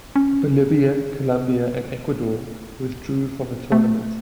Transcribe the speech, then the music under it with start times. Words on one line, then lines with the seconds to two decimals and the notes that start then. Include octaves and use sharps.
Bolivia, Colombia, and Ecuador withdrew from the tournament.
0.16 C#4
3.72 A3